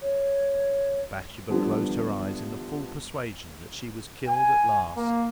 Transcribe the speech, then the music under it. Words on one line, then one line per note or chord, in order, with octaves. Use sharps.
Bathsheba closed her eyes in the full persuasion that she was killed at last.
C#5
D3 E3 F3 G3 B3
G#5
A#3